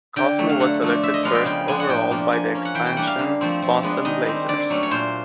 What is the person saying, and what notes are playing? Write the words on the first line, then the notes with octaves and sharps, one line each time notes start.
Cosmo was selected first overall by the expansion Boston Blazers.
D3 G5
F#3 A3
F5
D3 F#5
F3 A3 D4
D3 E5
D#5
F3 G#3 B3 D4 F5
G5
C#3 G5
F3 G#3 B3 D4 G#5
F#5
A2 G5
F3 A#3 D4
F3 G#5
A#3 C#4
F#5
E3 G5
G5
G3 A#3 D4 F#5
F5
D3
F3 A3 C4
F3
G#3 B3 D4
D#3 D#5
G3 C4
D3 D5
F#3 A3 C#4
C#5
A#2 C5